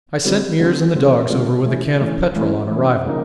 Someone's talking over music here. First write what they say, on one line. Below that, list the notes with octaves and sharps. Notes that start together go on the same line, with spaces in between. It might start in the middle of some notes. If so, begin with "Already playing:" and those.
I sent Meares and the dogs over with a can of petrol on arrival.
D3 G3 C4 F4
D3 G3 C4 F4
D3 G3 C4 F4
D3 G3 C4 F4
E3 A3 C#4 E4
E3 A3 C#4 E4
E3 A3 C#4 E4
E3 A3 C#4 E4
C#3 F3 A#3 D#4